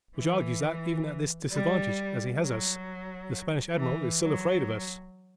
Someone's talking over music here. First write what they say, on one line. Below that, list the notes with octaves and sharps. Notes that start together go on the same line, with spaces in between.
"Which argues that, even at this disadvantage as he has us, the Spanish Admiral is still afraid of us."
E3
G3
F#3
E3
F#3